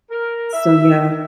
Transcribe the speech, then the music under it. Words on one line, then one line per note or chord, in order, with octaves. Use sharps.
so yeah.
A#4
E5